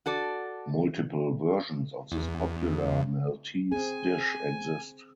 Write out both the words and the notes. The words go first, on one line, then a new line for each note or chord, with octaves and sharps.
Multiple versions of this popular Maltese dish exist.
F#4 A4 D5
E2
C4 G#4 G#5